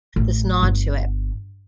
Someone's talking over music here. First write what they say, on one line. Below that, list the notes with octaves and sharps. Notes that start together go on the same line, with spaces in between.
this nod to it.
A1
G1